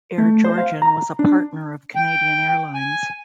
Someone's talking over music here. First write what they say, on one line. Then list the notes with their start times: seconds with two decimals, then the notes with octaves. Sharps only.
Air Georgian was a partner of Canadian Airlines.
0.18 A3
0.44 C5
0.58 F5
0.82 A#5
1.19 D4
1.96 G5
2.74 G#5